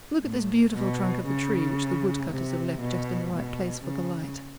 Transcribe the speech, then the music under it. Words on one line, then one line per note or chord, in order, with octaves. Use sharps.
Look at this beautiful trunk of a tree, which the wood-cutters have left just in the right place for the light.
A2
B2
C#3
C3
B2
B2
C#3